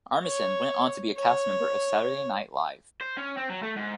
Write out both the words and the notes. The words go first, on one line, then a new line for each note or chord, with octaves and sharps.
Armisen went on to be a cast member of "Saturday Night Live".
C#5
C#5
C5
C#4
C4
F#3
A3
G#2